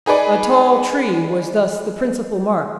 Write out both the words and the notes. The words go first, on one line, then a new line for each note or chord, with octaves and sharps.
A tall tree was thus the principal mark.
D#4 G#4 B4 D5